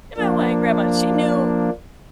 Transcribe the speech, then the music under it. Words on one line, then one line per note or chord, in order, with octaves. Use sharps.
and my Hawaiian grandma, she knew
F3 A#3 D4